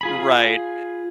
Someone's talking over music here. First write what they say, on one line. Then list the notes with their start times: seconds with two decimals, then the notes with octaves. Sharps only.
Right, a
0.01 F4 G#4 B5